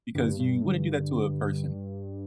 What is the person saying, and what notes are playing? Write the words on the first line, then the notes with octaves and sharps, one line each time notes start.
because you wouldn't do that to a person.
G2 D3
G2 B2
A2
G2 D3